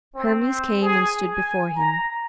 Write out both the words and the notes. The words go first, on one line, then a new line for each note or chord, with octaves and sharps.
Hermes came and stood before him.
C4
G#4
G#5
A#5